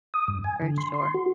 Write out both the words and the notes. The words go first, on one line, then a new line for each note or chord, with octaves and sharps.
For sure.
D#6
G2
G#5
D3
C6
C6
F#4